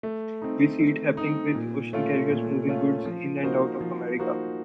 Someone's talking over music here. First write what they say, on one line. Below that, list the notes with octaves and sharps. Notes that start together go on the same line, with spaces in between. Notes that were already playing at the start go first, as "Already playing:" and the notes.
We see it happening with ocean carriers moving goods in and out of America.
A3
C4 D#4
A3
C4 D#4
A#2
A3 C#4 F4
A#2
A3 C#4 F4
F3
A#3 D#4 F#4 C5
F3
A#3 D#4 F#4 C5